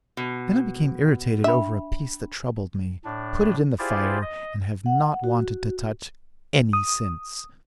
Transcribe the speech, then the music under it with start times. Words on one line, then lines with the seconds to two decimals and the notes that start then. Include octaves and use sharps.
Then I became irritated over a piece that troubled me, put it in the fire, and have not wanted to touch any since.
0.17 B2
1.44 D4 E5 G5 B5
3.05 A2 D4
3.79 E4 F4 G4 G#4 C5 D5
4.22 D#5
4.86 F#5
5.24 F#4
6.73 D#6